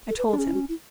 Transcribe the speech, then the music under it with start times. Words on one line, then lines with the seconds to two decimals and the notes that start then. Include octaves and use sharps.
I told him.
0.08 A4
0.18 B4
0.28 A4
0.33 D4
0.38 C#4 G#4
0.47 E4
0.54 F#4
0.69 E4